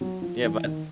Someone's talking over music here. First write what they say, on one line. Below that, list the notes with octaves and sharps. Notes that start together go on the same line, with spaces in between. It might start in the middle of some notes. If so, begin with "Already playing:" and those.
Yeah, but
F#3
F3
E3
D#3